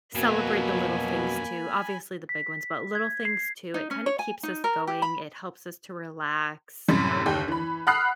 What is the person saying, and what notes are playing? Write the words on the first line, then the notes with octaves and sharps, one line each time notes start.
celebrate the little things, too, obviously, the big ones, but little things, too, it kinda keeps us going, it helps us to relax, um,
F2 B2 F#3 A#3 G#5 B5
B6
G#6
C7
D#4
C#4
C#5
G#5
D#4
A#4
G4
B5
F#2 A2 C3 G3
F#1 D#2 G4
E3 B5
F#5 B5 D#6 F6 F#6 C7